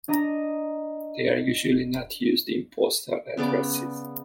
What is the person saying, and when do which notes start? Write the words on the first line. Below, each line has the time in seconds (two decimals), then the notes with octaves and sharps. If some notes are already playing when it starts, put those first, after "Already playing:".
They are usually not used in postal addresses.
0.08 D4 D#5 A#5 A#6
3.37 C#3 B3 D5 D6